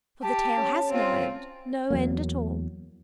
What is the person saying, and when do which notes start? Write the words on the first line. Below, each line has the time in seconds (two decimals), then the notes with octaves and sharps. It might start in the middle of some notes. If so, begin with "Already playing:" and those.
For the tale has no end, no end at all.
0.22 G4 A5
0.57 C#4
0.90 C4 F4
1.90 E2 F#3 A#3